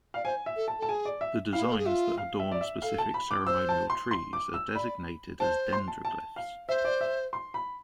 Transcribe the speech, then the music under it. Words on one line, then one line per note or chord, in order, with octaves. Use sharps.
The designs that adorn specific ceremonial trees are designated as 'dendroglyphs.
D5 F5
C5 G#5
E5
A4
A5
A4 A5
G#4 G#5
D5
E5
E4 F5
B4
A4
G#4
F4 E5
F5
E5
D5
E5
A4 F5
A5
B5
D6
C5 E6
A5
C6
C6
D6
E6
D5 B5
C5 A5
C6
A5
A5
F5
C5 E5
D5
E5
C6
B5